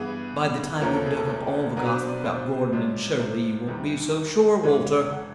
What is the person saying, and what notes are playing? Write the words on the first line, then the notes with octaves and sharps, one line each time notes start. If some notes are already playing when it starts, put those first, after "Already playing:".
"By the time you've dug up all the gossip about Gordon and Shirley you won't be so sure, Walter."
Already playing: G2 E3 G3 B3 G#4
E2 C3 F3 A#3 C#4 A#4
A4
G#4
A4
B2 F#3 B3 D4 A#4
B4
C5
D5
C5
C2 C3 F3 G#3 C#4
C5
E2 C3 D#3 G3
F2 C3 E3 G#3 C#4
F#5